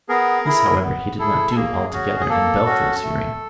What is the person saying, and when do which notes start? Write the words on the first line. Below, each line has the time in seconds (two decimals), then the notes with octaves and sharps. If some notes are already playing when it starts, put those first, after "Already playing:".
This, however, he did not do altogether in Bellfield's hearing.
0.09 B3 G#4 A#4
0.45 E4 G#4
0.82 B3
1.19 E4 G#4 A4
1.51 A4
1.55 A#3 G#4
1.93 C#4 F#4
2.20 G#4
2.29 A#3 A4
2.66 C#4 F#4
3.03 A3